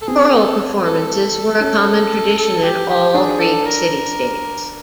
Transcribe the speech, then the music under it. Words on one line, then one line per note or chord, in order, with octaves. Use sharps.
Choral performances were a common tradition in all Greek city-states.
A4
C4 G#4
A4
A4
C#4
A4
G4
G4
D4 G#4
A4
A#4